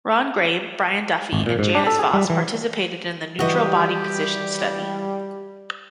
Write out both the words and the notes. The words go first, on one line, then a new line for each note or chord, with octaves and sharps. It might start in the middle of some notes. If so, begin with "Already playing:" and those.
Ron Grabe, Brian Duffy and Janice Voss participated in the Neutral Body Position study.
G#1
A#2
G#2
D4
A4
G#4
G3
E3
E3 G3 F#4 G4 B4 D#5